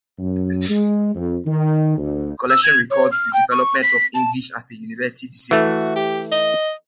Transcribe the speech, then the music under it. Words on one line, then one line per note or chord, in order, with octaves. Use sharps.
The collection records the development of English as a university discipline.
F#2
G#3
F2
D#3
D2
E6
G#6
C#5
F6
G5
C#6
B6
A5
E3 A3 F#4
G4
D#5